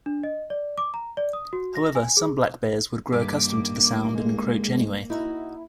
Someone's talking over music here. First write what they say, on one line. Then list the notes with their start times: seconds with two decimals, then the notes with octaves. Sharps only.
However, some black bears would grow accustomed to the sound and encroach anyway.
0.06 D4
0.24 D#5
0.50 D5
0.78 D6
0.94 A#5
1.17 D5
1.33 D#6
1.53 F#4
1.75 A#6
1.95 G#5
2.17 G#4
3.12 G2 D#3 A#3 D6
4.14 G#3
5.10 D#4 E4 F#4